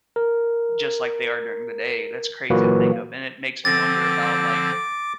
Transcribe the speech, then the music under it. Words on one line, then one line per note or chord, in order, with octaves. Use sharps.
just like they are during the day, that's crazy to think of, and it makes me wonder about, like,
A#4
A#2 E3 F#3 A#3 F#4 B4
D3 F3 C4 D6 A6 A#6